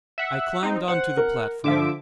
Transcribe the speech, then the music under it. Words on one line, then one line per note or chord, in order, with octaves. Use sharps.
I climbed onto the platform.
E5 F#5
C4 D#4
C5 F#5
A#4
D3 F3 E5 D6